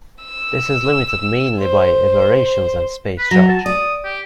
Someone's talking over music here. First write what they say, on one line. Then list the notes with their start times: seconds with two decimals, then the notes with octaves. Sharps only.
This is limited mainly by aberrations and space charge.
0.24 E6
1.60 C5
3.19 B4
3.31 F#3 A#5
3.49 A5
3.66 D5 D#6
4.04 G4